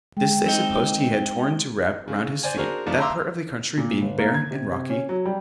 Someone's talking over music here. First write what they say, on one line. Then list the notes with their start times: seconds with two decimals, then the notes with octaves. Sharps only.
This they supposed he had torn to wrap round his feet; that part of the country being barren and rocky.
0.17 G#3 G5
0.46 C4 D#4
2.08 C#3
2.43 C5 D5 G#5
2.56 D4 F#4 G#4 A#4 C5
2.86 F2 C3 F3 A3 D4 D#4
2.98 E5 F5 A#5 C6 D6 E6
3.77 A#2
4.01 G1
4.18 A#3
4.34 G#6
4.51 C3
4.71 C3
4.90 C#4
5.09 F#3
5.25 G3